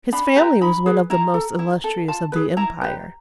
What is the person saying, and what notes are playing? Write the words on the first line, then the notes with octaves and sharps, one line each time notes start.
His family was one of the most illustrious of the empire.
D4 B5
G4 B4 A#5
D#4 B5
G#4 B4
E4 A#5
A4
E4
A4
F4 A5
G#4 B4
E4 A#5
G4 B4